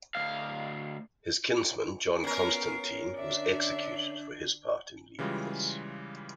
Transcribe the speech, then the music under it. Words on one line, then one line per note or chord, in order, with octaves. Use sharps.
His kinsman John Constantine, was executed for his part in leading this.
D2 F5
B3 C#4 A#4 F5
D3 D4 D5 E5
C#3 E3 G3 G#3 F4